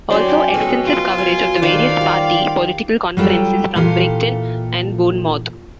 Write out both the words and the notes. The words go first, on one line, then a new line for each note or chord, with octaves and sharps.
Also extensive coverage of the various party political conferences from Brighton and Bournemouth.
F#3 C#4 G4 C5 D5
B2 G#3 C#4 A4
F#2 F4
G#5
D#3 F4 B4 C5 D5 F5
G3
F#3 G3 F4 A4 G5
A#2 E3 F4 G4 A4 F5